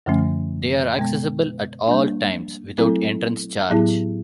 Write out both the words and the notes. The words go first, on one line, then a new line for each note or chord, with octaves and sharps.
They are accessible at all times without entrance charge.
F#2 D3 F3 A3 C#4
B2 G#3 B3
G3 A#3 D4
F#3 A3 C4 E4 A4
A2 F#3 B3 E4 G#4